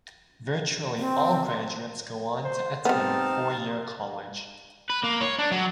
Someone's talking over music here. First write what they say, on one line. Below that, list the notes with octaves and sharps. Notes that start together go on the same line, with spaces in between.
Virtually all graduates go on to attend four-year college.
C4
C5
G3 B3 C4 D#4 F5 A5
B4
A#3
C#5
D4
F#3